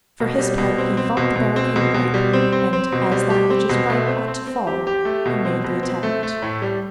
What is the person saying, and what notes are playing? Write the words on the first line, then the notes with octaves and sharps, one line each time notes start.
For his part, he thought the barricade ripe, and as that which is ripe ought to fall, he made the attempt.
B2
G3
B2
C4
C4
B2
B2
C4
B2
B2
G3
C4
C4
C4
B2
G3
G4
C4
B2
A3
C4
C4
C4
G4
G4
A3
B2
C4
B2
C4
A3
A3
A2
G3